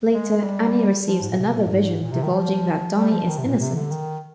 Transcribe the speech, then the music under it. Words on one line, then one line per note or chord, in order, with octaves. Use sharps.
Later, Annie receives another vision divulging that Donnie is innocent.
G#3
G3
F3
G#2
A#2
C3
A#2
G2
G#2
A#2
C3
D#3
F3
G3
F3
D#3
C3
G#2
A#2
C3
D3
D#3